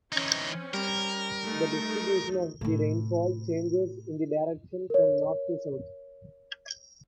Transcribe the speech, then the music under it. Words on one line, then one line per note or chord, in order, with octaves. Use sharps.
The distribution of the rainfall changes in the direction from north to south.
E3 C4 C#4 D#4
G3 A#4
A3 D#4
A2 C3
A#4 C#5